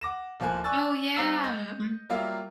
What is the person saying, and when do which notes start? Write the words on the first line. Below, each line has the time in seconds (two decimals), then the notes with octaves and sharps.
Oh, yeah, m
0.01 F#5 D6 A#6 E7
0.40 D1 F3 A#3 C5 G#5 F#6
0.64 D5 G#5 C#6 E6 F#6 A6
1.16 G3 C4 F5 A#5 E6 C#7
1.43 D#5 G6 A#6
2.09 F#3 G3 A#3 F4 E5 F5